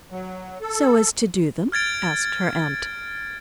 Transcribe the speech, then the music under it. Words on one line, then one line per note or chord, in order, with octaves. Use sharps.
"So as to do them?" asked her aunt.
F#3
A4
F6 G#6 A6 D7